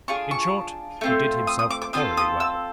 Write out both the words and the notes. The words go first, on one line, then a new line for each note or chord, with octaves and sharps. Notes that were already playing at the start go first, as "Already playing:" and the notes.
In short, he did himself thoroughly well.
D4 F4 G#4 C#6
C#6
A3 C4 F4
D#6
D#6
D6
D6
C4 F4 A4 D#6
D#6
E6